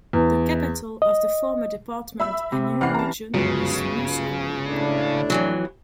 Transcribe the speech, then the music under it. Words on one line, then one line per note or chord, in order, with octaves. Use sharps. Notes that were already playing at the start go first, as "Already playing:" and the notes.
The capital of the former department and new region is Moussoro.
E2
D#5
E5 B5 E6
C3
E3 C#4 F#5 F6 C7
A5 A#5
G1 C#2 F#2 C#3
A2 D4
F2 E3 F#3